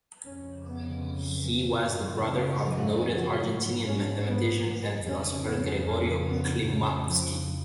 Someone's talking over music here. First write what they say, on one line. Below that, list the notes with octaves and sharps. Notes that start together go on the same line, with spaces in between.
He was the brother of noted Argentinian mathematician and philosopher Gregorio Klimovsky.
F2 C#3 C#4
B3
F#2 C#3 A#3
F#3
F3
G#2 F#3
C#4
B3
F2 C#3 C#4
B3
C#4
B3
F2 C#3 F#3
F3